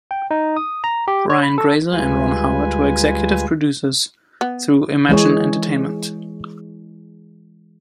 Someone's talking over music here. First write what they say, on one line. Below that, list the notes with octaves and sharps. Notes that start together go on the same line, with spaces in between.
Brian Grazer and Ron Howard were executive producers through Imagine Entertainment.
G5
D#4
D#6
A#5
G4
C#5
B5
A4
D2 G3 G#3 F4 B4 G#5
B3
E3 G#3 G#4 C#5